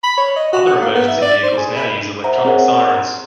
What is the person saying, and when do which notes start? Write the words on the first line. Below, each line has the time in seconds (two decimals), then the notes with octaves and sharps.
Other emergency vehicles now use electronic sirens.
0.04 B5
0.18 C#5
0.36 D#5
0.53 F#4
0.67 F#5
0.81 A#3
0.95 B3
1.08 E5
1.22 D5
1.43 C5
1.57 G#4
1.76 B5
2.24 C5 E5 F#5 A#5
2.45 C4 G#4 A#4 C#5 F#5
2.74 A#5 C6